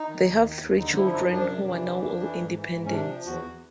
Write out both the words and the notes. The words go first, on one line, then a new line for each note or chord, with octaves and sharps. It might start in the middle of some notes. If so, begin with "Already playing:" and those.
They have three children who are now all independent.
Already playing: D#4
D#3
D#2
D#3
D#2
D3 D#4
F3 E4
E4
F#2 D#4
F#2 D4
C3
E3
F2
F2
E3
G#2
E3
G#2
C#4
C3 D4
F3
E2 F#4
E2